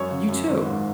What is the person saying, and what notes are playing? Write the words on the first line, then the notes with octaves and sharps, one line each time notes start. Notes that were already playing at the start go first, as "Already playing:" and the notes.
You too.
Already playing: F#2 C#5
C#3
F#2
G#1
G#2